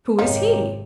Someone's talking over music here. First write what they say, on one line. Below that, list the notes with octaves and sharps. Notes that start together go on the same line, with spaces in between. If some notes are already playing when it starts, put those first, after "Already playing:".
"Who is he?"
G#1 F2 C3 F3 D#4 G4 A#4 C#5